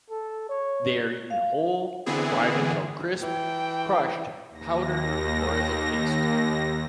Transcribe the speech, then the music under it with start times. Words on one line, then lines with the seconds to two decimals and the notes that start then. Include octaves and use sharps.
They are eaten whole, fried until crisp, crushed, powdered or as a paste.
0.10 A4
0.49 C#5
1.30 F5
2.06 D3 E3 B3 C4 E4 G#4
3.23 E3 G5
4.50 D#2 A#6